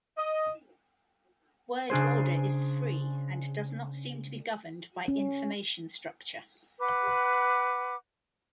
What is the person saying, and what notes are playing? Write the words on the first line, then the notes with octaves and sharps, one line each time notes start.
Word order is free and does not seem to be governed by information structure.
D#5
C#3 D4 G#4 C5
C#4
B4 F#5 D6